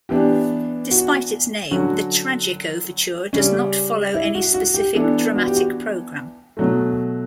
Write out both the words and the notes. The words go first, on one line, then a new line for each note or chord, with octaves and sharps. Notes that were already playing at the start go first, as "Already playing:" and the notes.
Despite its name, the "Tragic Overture" does not follow any specific dramatic program.
E3 B3 D4 G4
F#4
D3 F#3 C#4 F#4
C#3 G3 C#4
E4
F#4
F#4
G4
E3 B3 D4 A4
F#4
G4
F#4
B2 F#3 A3